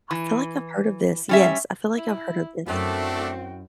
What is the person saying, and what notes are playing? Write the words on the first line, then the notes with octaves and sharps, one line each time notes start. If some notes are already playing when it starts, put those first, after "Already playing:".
I feel like I've heard of this. Yes, I feel like I've heard of this.
E3
G3 C#4 E5
E4
F#2 A3 C4 D4 E4 F#4 G5